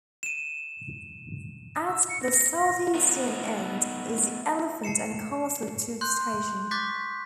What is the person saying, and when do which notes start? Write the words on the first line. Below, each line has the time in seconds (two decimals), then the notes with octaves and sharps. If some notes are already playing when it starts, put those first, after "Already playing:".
At the southeastern end is the Elephant and Castle tube station.
0.23 D#7 E7
1.86 E6
2.09 C#7
2.23 A#6
2.58 A#6
2.95 A3 B3 D#4
4.84 A5 C7 C#7 E7
6.01 C6 F#6 G6
6.71 C#6 D6 F#6 G6 A6 B6